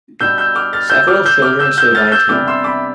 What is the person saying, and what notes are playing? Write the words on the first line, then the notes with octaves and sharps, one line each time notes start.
Several children survived him.
B2 G3 B3 D4 E6 G6
E6 G6
D6 F6
F6 A6
E6 G6
D6 F6
E6 G6
D6 F6
E6 G6
E6 G6
F6 A6
E6 G6
C3 E3 G3 B3 D4 D6 F6
C6 E6
B5 D6